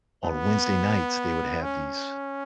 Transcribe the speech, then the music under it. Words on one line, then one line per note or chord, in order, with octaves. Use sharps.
On Wednesday nights, they would have these
B3
C#4